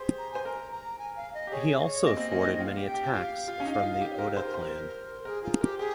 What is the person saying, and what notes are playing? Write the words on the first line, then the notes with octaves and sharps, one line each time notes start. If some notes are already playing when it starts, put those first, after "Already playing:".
He also thwarted many attacks from the Oda clan.
Already playing: G4 G#4 C5
A#5
C5 G#5
A#4 A#5
A#5
G#5
F5
D#5
G4
G#4 C#5
D#5
C#5
A#3 D#5
C4
C#4
D#4
F4 F5 G5
G4
G5
G4
G4
F4 F5
F4
C#4
D#4
F4
G4
A#4 F5
G#4 C5
A#4
C5
A#4
G#4 A#4
F4 G#4
G4 A#4
G4 G#4